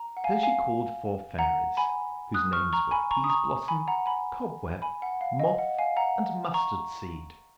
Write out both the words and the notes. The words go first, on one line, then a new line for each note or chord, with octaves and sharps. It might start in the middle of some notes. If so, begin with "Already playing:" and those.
So she called four fairies, whose names were Peaseblossom, Cobweb, Moth, and Mustardseed.
Already playing: A#5
F#5
F5 G#5
F5 G#5
F#5 A#5
G#5 B5
D#6 F#6
C#6 F6
A#5 C#6
G#5 B5
A#5 C#6
D#6
A#5 C#6
G#5 B5
F#5 A#5
G#5 B5
G#5 B5
F#5
F5
D#5
F#5
F5 G#5
F#5 A#5
A#5 C#6